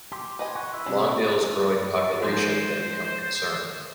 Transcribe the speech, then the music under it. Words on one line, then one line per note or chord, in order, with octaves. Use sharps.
Longdale's growing population had become a concern.
G4 C6
B4 D#5 G#5
F#4
E4
C3 F#3 C#4 D4
G#2 C5 C6